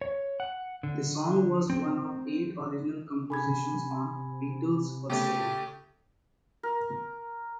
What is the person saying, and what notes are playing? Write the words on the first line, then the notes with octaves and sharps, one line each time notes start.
The song was one of eight original compositions on "Beatles for Sale".
C#5
F#5
D3
C4
C3 G#5 B5 G#6
C#3 A3 G4
A#4